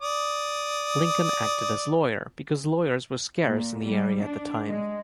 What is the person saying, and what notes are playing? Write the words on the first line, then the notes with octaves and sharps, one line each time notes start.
Lincoln acted as lawyer because lawyers were scarce in the area at the time.
D5 D#6
A#2
G3
D4
G#3